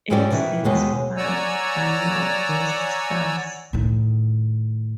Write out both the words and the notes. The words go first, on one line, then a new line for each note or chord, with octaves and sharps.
Ace and Spike are now guest stars.
G#2 F#3 G3 C#4 B4 D5
B2 D#3 E3
D#2 B2 G#3 A#3
C#5 D5 F#5 G#5 A#5 E6
A2 D#3